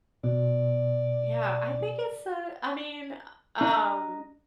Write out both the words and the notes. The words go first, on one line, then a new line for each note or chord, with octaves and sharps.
Yeah, I think it's, uh I mean, um,
B2 D5
D4 D#5 A#5